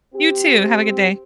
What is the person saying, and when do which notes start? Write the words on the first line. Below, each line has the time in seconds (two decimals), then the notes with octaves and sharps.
You too, have a good day.
0.15 C4 G4